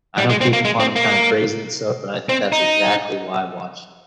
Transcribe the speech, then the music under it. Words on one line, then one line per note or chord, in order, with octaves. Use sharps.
I know people find him kinda crazy and stuff, but I think that's exactly why I watch
G3
G#3
C4
A#3
G#3
C4
A#3
C4
D#4